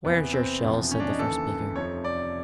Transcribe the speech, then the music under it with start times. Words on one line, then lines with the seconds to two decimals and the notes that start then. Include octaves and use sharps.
"Where's your shells?" said the first speaker.
0.05 E2 C3 E3 B3
0.33 C4
0.62 E1 E2 C3 F3
0.91 C#4
1.00 D4
1.10 D#4
1.19 D#2 C#3 E3 A4
1.76 F1 F2 C3 F3 C#5
2.04 D5